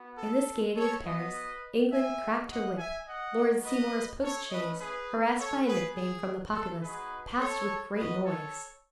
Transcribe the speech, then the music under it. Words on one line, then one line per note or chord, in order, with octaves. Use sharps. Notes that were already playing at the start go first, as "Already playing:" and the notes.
In this gayety of Paris, England cracked her whip; Lord Seymour's post-chaise, harassed by a nickname from the populace, passed with great noise.
Already playing: B3 F#4
A4
A4 C#5
B3 F#4 B4 D#5
E5 G#5
G#3 D#4 F#4
D#5 F#5
E5 G#5
D#5 F#5
B3 D#4 F#4
B4 D#5
A4 C#5
A3 C#4 E4 B4 D#5
G#4 B4
A4 C#5
B3 F#4 G#4 B4
G#4
A4
G#3 D#4 F#4 G#4 B4
A4 C#5
G#3 B3 F#4 B4 D#5
A4 C#5